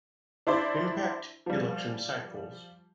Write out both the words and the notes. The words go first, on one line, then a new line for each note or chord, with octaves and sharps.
Impact elections cycles.
D4 E4 C5 D5
F3 G3